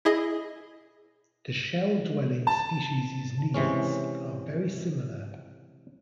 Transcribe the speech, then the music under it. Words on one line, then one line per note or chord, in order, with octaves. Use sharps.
The shell-dwelling species' needs are very similar.
E4 G#4 D#5
A5
C3 E3 G#3 C#4